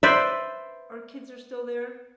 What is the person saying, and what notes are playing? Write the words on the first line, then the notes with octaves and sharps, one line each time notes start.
our kids are still there
B4 C5 D5 E5